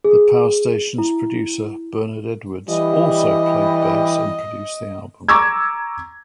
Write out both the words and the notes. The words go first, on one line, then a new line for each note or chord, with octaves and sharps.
The Power Station's producer Bernard Edwards also played bass and produced the album.
G#4
E4
E3 G3 D#5
A#5 C#6 D6 E6 G#6